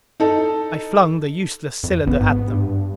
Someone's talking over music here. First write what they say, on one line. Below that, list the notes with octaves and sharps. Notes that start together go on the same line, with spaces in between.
I flung the useless cylinder at them.
D#4 A4
F2
A1 B3
G#2
G2